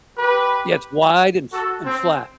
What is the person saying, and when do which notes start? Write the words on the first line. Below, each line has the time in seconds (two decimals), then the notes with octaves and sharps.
Yeah, it's wide and fl and flat.
0.17 G4 B4
1.53 F#4 A4
1.86 C4